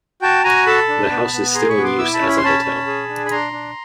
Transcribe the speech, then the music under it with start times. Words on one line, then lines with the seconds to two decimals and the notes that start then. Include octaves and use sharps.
The house is still in use as a hotel.
0.22 F#4 G5 A5
0.44 F#4 G#5 A#5
0.66 A4 A5 B5
0.89 D4
1.11 B3
1.33 B3
1.54 G#4 A#5 C6
1.69 B5 C#6
1.77 B3
1.84 C6 D6
1.98 E4 D6 E6
2.14 A5 B5
2.20 C#4
2.28 B5
2.37 C6
2.44 C#4 A5 B5
2.65 C#4
2.87 G#4
3.09 D4
3.26 B5
3.31 D4 A#5 C6
3.53 D4